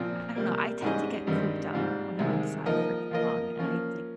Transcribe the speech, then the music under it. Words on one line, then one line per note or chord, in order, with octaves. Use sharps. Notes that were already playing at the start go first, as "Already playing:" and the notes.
I don't know, I tend to get cooped up when I'm inside for too long, and I, like,
Already playing: A#2 F3 C4
C3 G3 A#3
G#2 G3 C#4 G#4 D#5
G#1 G2 D#3 G3 C4
G#2 G3 C4 F4
C2 C3 D#3 G#3
F3 A#3 D#4 A#4 D#5
F3 A#3 F4 A#4 D#5
F3 A#3 C#4 F4